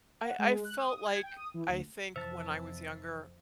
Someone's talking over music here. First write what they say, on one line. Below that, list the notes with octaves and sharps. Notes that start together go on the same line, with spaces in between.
I I felt like, I think when I was younger
F#5
G#3
F#6
D#6
G#6
G5
D#6
E3
D2
F2 C3 E3 C5 E5 A5